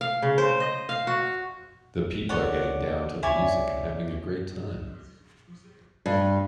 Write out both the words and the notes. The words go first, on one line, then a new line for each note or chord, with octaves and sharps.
The people are getting down to the music and having a great time.
F5
C#3
C5
D#5
F5
F#4
A4 C#5 D5 F#5
E4 C#5 D5 G#5
G2